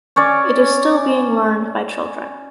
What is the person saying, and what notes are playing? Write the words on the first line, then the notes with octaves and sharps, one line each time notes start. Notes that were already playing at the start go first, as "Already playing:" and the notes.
It is still being learned by children.
C#4 C#5 D5